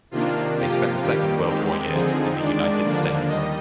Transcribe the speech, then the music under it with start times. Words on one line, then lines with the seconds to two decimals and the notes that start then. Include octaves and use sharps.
They spent the Second World War years in the United States.
0.11 C3 D#3 A#3 D4 F4
0.57 C3 F3 A#3 F4 G4
1.02 G2 D#3 G3 A#3 G4
1.47 D#3 G#3 C4 G4
1.93 D3 F3 C4 D#4 G#4
2.38 D#3 G#3 D4 D5
2.83 D#2 D3 F3 A#3 D4
3.28 D#2 D#3 G3 D#5